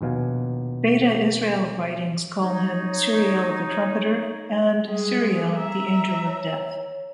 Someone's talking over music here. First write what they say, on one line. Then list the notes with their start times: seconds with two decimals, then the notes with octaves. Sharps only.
Beta Israel writings call him "Suriel the Trumpeter" and "Suriel, the Angel of Death".
0.01 A#1 D#2 B2 F5 G#5
2.40 D#4 C#5
4.88 G3 G#3
5.57 E5 A#5
6.26 C#5